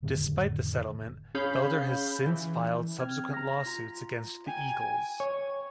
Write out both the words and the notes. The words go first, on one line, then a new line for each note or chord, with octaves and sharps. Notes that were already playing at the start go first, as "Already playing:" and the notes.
Despite the settlement, Felder has since filed subsequent lawsuits against the Eagles.
F1 A2 D3 D#3
C#4 G#4 C#5 F5 B5 G6
E3
C4 F6 G#6
A#5 A#6
F4 A#5
G5 G#5
C#5